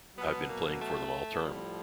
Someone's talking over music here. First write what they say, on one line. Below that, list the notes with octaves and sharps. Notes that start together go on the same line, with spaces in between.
I've been playing for them all term.
B2 F#3 B3
A#3
A3
A2 F3 G3